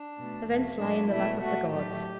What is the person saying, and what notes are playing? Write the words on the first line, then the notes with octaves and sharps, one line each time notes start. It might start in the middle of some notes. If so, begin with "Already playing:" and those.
Events lay in the lap of the gods.
Already playing: D4
B2 A3
E2 B2 A3
A2 F#3 A3 D4
B2 A3 E4
B2 A3 F#4
A2 F#3 A3 G4